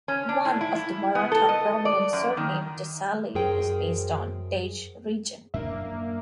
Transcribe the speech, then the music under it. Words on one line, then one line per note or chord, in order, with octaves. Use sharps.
One of the Maratha prominent surname 'Desale' is based on 'Desh' region.
C#4
D4
A2
E4
E4
B3
A4
D#5
D5
F#2
D#3
F#2 G#4 A#4 C5 G5
F#2 A#3 D4 E5